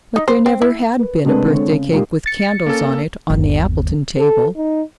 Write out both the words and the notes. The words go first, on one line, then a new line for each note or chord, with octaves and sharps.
But there never had been a birthday cake with candles on it on the Appleton table.
D#4
C5
C4
E4
B4
C3 G#3 A3 C4 D4 B4
D3 G#3 C4 A4 C#5
C#3
A#2 G#3 A#3 D#4 G4
A6 C#7
A#3 C#4 A4
G1 D#2
A4
D#4